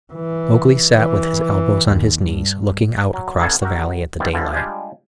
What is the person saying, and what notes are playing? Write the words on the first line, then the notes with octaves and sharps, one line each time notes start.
Mowgli sat with his elbows on his knees, looking out across the valley at the daylight.
E3
E3
D#2
G2
F#3
D3 A#3 B3 G#4 A4 E5
F#4 G4 A#4 E5
D#3 E3 G3 B3 C4
D3 E3 F3 G3
G3 G#3 D4 F4 G4 G#4